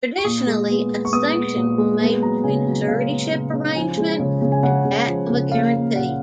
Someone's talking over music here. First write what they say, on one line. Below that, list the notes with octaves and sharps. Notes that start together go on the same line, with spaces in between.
Traditionally, a distinction was made between a suretyship arrangement and that of a guaranty.
C#6
A#2 D#6
G#3
B3
B3
C#6
B3 D#6
B3
A#2
G#3
B3
F#3 A#5
C#3 G#5
F#3
C#3 F5
B3
C#3
C#3
F3 G#5
G#3
C#3
C#3
G#5
C#3 F#5
C#3
F3
C#3
A#3 F5
A#3
A#2 F#5